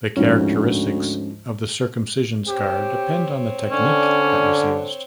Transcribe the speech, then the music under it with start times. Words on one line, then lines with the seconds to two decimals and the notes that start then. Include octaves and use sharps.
The characteristics of the circumcision scar depend on the technique that was used.
0.17 D2 G#2 F3 C#4
2.48 C4 G4 C#5
3.72 D3 C#4 D5